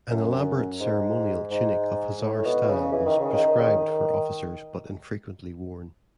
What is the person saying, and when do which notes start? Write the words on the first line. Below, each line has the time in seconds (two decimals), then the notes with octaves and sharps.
An elaborate ceremonial tunic of hussar style was prescribed for officers but infrequently worn.
0.10 F#2
0.81 G#2
1.51 G#2
2.22 A2
2.45 B2
2.69 C#3
2.92 E3
3.06 D#3
3.20 C#3
3.34 D#3
3.59 C#3
3.63 D#3